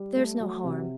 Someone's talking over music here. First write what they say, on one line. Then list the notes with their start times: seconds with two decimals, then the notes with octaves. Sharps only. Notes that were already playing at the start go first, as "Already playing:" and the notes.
'There's no harm.
Already playing: G3
0.16 A3
0.40 F#3
0.64 C3